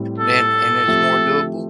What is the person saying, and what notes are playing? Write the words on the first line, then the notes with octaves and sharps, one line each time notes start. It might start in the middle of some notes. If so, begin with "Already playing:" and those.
then and it's more doable,
Already playing: A2 G3 C4
A4
F3 A3 C4 G4